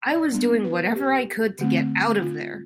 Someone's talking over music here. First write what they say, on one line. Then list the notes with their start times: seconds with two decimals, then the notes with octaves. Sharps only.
I was doing whatever I could to get out of there.
0.11 D5
0.32 G3 B3 D4
0.64 B4
0.95 G4
1.59 D3 A3 C4
2.22 F4